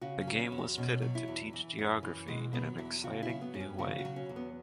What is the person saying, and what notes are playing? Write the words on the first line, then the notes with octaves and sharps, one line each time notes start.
The game was pitted to teach geography in an "exciting new way".
C#3 F#4
C#4
F#3
C#4
E2
F#4
B2 C#4
F#3
E4
E2
E3
F#2
E3
B2 G#3
F#3 B3
E2 E4
C#3 F#4
E4
F#3
B3
F#2
C#4
C#3 F#4
F#4
F#3
C#4
E2
B3